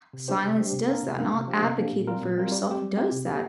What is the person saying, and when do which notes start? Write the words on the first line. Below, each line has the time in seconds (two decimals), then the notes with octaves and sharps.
Silence does that, not advocating for yourself does that.
0.13 C3
0.28 G3 D4 G4 C5
0.43 C3
0.58 G3 D4 G4 C5
0.73 C3
0.88 A#3 D4 A#4
1.03 C3
1.18 A#3 D4 A#4
1.33 C3
1.48 F3 A#3 D4 G4
1.63 C3
1.77 F3 A#3 D4 G4
1.92 A#2
2.07 G3 C4 F4 A#4
2.22 A#2
2.37 G3 C4 F4 A#4
2.52 G3
2.67 C4 G4
2.82 G3
2.97 C4 G4
3.12 C3
3.26 A#3 G4